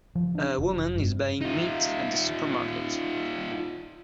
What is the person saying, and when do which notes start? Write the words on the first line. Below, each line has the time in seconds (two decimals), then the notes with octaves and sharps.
A woman is buying meat at a supermarket.
0.15 F3
0.35 D4
0.58 F1
0.95 G2
1.41 D#4 F4